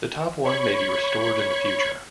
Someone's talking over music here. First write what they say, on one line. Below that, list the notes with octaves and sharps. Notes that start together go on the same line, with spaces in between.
The top one may be restored in the future.
C#5 B5 C#6